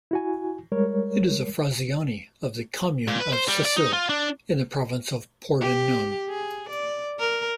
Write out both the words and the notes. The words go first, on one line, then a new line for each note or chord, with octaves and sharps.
It is a "frazione" of the "comune" of Sacile, in the province of Pordenone.
E4 F#4 G#5
G3 G#3 A#4 C#5
A#2
B4
C5
G3
D5
D#4
F4
D4
G4
G#4
D5
A#4